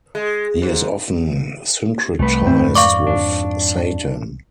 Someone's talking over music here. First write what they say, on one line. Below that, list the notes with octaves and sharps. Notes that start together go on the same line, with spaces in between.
He is often syncretised with Satan.
G#3
G#2
C2 A3 B4
F2 G#2 C4
D5 F5 C#6 D6
D4